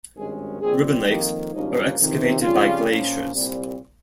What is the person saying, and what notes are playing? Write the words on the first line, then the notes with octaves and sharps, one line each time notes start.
Ribbon lakes are excavated by glaciers.
G#1 G2 D#3 G#3 C#4 G#4
A#1 A#2 G3 C4 G#4
F2 D#3 A#3 G4
G#1 G2 F3 A#3 C#4 D#4
G1 F2 C3 D#3
F2 C#3 G3 C#4 F4
A#1 A#2 F3 A#3 C#4
C2 A#2 G3 C4